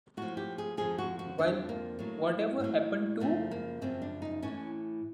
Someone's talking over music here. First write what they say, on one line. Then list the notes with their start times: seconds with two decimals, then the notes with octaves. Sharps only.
While Whatever Happened to...
0.17 A2 F3 F#4
0.37 G4
0.58 G#4
0.77 F2 D3 F3 G#4
0.98 F#4
1.19 F#4
1.38 F2 D3 F3 D4
1.69 A#3
1.99 A2 F#3
2.60 A2 F#3
3.20 F#2 C#3 F3 A3
3.51 A#3
3.81 F#2 C#3 F3 C4
4.02 D4
4.22 D#4
4.42 A2 E3 C#4